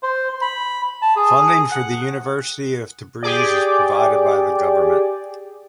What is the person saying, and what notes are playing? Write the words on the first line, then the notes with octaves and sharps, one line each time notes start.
Funding for the University of Tabriz is provided by the government.
C5
B5
A5
G#4
F#5
G4 G#4 D5